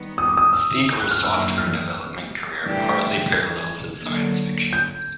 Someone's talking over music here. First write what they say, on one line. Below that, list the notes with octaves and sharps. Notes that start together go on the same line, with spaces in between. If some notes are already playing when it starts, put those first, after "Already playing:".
Stiegler's software development career partly parallels his science fiction.
Already playing: D#3 G3 B3
D#6
D6
D#6
E6
F#6
F6
F#2 D#3 G3 A#3 D4 E6
F6
G2 E3 A3 D4 G4
G#6
D3 F#3 A#3
G6